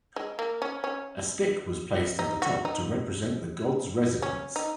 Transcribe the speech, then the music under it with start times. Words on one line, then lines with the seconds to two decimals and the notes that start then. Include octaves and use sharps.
A stick was placed at the top to represent the god's residence.
0.16 G#3
0.39 A#3
0.62 C#4
0.84 C#4
2.19 D#4
2.42 F#4
2.65 D#4
4.22 C#4
4.56 D#4